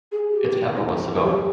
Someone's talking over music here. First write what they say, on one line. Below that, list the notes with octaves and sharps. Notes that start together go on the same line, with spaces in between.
Its capital was Savona.
G#4
G4
G4